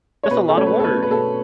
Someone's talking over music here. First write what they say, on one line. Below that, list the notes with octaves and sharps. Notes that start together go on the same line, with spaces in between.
That's a lotta work.
C#5
B2 B4
A4
A3 C#5
B4
A4
B2 B4
B4
B2 A4